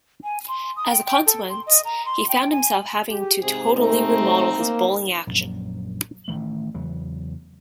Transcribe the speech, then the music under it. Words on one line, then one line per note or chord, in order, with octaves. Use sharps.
As a consequence, he found himself having to totally remodel his bowling action.
G#5
C6
D#6
G5
G5
A4
C6
D#5
A#5
C6
G5
G#5
G4 G#4
G#2 C3 G#4 C5
A3 C4 D#4
A#3
A#1 F#2
A1 D#3 A3
E2 C#3 F#3